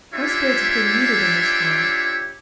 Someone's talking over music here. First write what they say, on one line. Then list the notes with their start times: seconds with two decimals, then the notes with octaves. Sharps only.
Most spirits appear to need it in this world.
0.12 D4 E4 F4 G4 C#5 E5